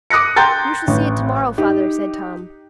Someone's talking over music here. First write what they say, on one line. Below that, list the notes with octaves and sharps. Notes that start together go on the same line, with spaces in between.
"You shall see it to-morrow, father," said Tom.
D6 D#6 F#6 A#6 C#7
G5 A#5 C6 G6 A6
A1
D#4 G4